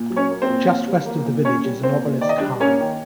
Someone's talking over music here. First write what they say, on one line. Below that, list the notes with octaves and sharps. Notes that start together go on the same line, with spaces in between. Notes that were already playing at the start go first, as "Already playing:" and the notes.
Just west of the village is an obelisk high.
Already playing: A#2
F#3
C#4 C#5
A#3
C4 C5
A#2
A#2
G3
A#3
A#2
A#2 C#4 C#5
G3
A#3 C4 C5
A#2
D#3 D5
D#5
D4 D5
G3
A#3 C#4 C#5
D#3